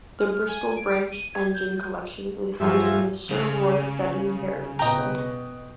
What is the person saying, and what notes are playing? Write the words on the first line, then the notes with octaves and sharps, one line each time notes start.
The Bristol branch engine collection is housed in the Sir Roy Fedden Heritage Centre.
F6
G#5
D7
D#7
G#6
G6
G2 F3 F#3 F4 G4 G#4 E5 G#5
C#3
B2 B3 D#5 G5 A#5